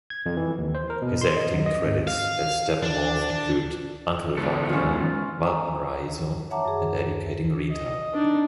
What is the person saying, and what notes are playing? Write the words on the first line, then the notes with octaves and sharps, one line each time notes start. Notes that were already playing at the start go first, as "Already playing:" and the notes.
His acting credits at Steppenwolf include "Uncle Vanya", "Valparaiso", and "Educating Rita".
G#6
F2
E3
D#2
C5
A#4
B2
C6
D#5
F#2
D#5
G#1
F5
D4
E2 G#2 A4
C#4 F4
G#5 A#5 C#6
C#5 E5 F#5 A5 A#5 D6
F#2 G#4
D#5
D4 D#4